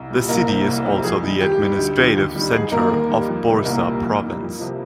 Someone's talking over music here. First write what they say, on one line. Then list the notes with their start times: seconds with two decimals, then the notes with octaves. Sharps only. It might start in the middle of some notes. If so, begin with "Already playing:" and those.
The city is also the administrative centre of Bursa Province.
Already playing: C2
0.10 A#2 G3
0.29 C2 A#3 A#4
0.47 C3 G3
0.67 C2
0.85 C3 D#3 G3
1.04 F2 G#4
1.22 D#3 G3
1.41 D#2 G4
1.59 D#3 G3
1.79 D2
1.98 D3 F3
2.16 D#2
2.35 D#3 G3
2.53 G#2 G#4
2.72 D#3 G3 A#3 A#4
2.90 D#2
3.09 D#3 G3
3.28 F2
3.47 C3 D#3 G3
3.65 C2 A#3 A#4
3.85 A#2 G3
4.03 F2
4.22 D#3 G3
4.41 F2
4.59 C3 F3